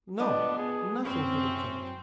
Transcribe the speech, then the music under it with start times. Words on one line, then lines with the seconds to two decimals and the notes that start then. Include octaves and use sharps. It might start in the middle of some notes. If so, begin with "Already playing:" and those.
No; nothing had occurred.
0.19 F3 B3 D4 D#5
0.58 G#4
1.05 F#2 C4 C#4 E4